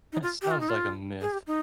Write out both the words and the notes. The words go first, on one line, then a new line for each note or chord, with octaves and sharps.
It sounds like a myth.
D#4
F4
G4
F4
D#4
F4
G#4
G4
D#4